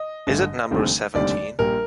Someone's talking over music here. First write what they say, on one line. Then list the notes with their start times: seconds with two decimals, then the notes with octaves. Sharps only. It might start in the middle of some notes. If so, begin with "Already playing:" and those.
Is it number seventeen?
Already playing: D#5
0.27 A1 G2 D3 A3
0.71 F1 D#2 D3 G3 C4
1.15 F1 D#2 D3 G3 C4 D5
1.59 A#1 A#2 G3 A#4